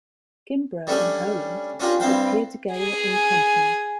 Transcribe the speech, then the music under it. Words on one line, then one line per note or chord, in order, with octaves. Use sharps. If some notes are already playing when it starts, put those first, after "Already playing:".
Kimbrough and Howland had appeared together in "Company".
G3 A3 C#4 D4 G4
C#4 D4 F4 G4 A#4
G2 C4 E4 F5 G5
G#4 G#5